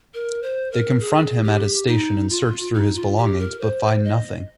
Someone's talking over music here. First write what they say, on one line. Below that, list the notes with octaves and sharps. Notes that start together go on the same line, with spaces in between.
They confront him at his station and search through his belongings but find nothing.
A#4
C5
A#4
G#4
G4
D#4
F4
D#4
F4
G4
A#4
C5
D#5